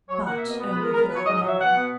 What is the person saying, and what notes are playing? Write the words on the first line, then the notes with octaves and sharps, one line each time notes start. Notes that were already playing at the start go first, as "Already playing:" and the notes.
But only for that moment.
F#3 C#5
A#3 F#5
E5
B2 D#5
B3
B4
G#3
A#4
B3 A#4
F#3 B4
C#5
G#2 D#5
D#5
F#3
E5
B2 F#5
B3